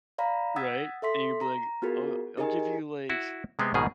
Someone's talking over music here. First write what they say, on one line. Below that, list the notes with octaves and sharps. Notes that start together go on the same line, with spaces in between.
Right, and you'd be like, "Oh, I'll give you, like,
D5 F5 A#5 B5
F#5 D#6 E6 G#6 A6 B6
A4 E5 C6 B6
A#5
B3 F4 F#4 G#4 A#4
D#4 G4 G#4 A#4 D#5 G#5
E4 F#4
C3 G#3 B3 C4
A#1 G#2 B2 D#3 A#3 G#4